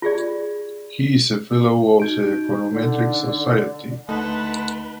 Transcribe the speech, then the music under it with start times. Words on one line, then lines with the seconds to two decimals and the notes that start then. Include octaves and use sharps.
He is a fellow of the Econometric Society.
0.02 F4 G4 G#4 D5
2.00 D#4 F#4 G6 D7
2.73 D3 D5
4.09 D2 A3 D#4 B4 D#5 F#5 A5 C6